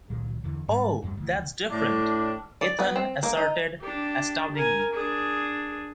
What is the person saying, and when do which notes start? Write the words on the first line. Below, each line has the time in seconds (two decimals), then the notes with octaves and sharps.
"Oh, that's different," Ethan asserted astoundingly.
0.10 C#2 A#2 D#3 F#3
0.44 E2 D3 E3
0.68 G#2 G3
1.02 G1 F#2 F#3 G3
1.17 D2 E3
1.69 A2 D4
2.61 D5
2.79 B3
2.96 C4
3.23 A#3
3.37 D#4
3.80 D4 G4
4.54 A#4 G#5
4.93 D4 G#4